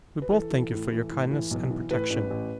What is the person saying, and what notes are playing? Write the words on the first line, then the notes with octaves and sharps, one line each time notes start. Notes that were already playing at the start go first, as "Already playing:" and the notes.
We both thank you for your kindness and protection.
B4
E3 A4
E3
A2
E3
A2
E3
B1
E3
A2 B4
A1
A1